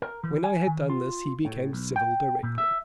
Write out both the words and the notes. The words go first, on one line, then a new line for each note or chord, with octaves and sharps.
When I had done this he became civil directly.
A#4
E3
G#5
D#3
F4
A2
B1
G5
A#2
E5